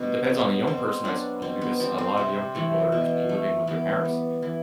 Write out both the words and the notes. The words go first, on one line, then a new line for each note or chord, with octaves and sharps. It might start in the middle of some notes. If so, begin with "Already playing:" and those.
it depends on the young person, I suppose, because a lot of young people are still living with their parents.
Already playing: B2 D3 G3 B3
F#3 B3
B2 C4
F#3 B3 D4
B2 C4
B3
G3 B3 C4
C4
C3
E3 A3
B2
A3
E3 B3
G3 B3
E3